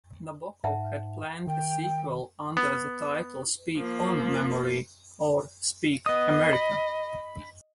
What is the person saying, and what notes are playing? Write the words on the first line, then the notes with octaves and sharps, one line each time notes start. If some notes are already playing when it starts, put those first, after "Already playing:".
Nabokov had planned a sequel under the title "Speak on, Memory" or "Speak, America".
G#2 E5 F#5 A5
D#3 G5
B3
F3 A#3
B3 D#5 D#6
B5